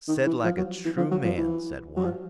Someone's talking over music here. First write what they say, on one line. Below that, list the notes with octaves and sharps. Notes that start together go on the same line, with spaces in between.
"Said like a true man," said one.
D#3
E3
F3
F#3
E3
F3
F#3
F3
E3
F#3
F3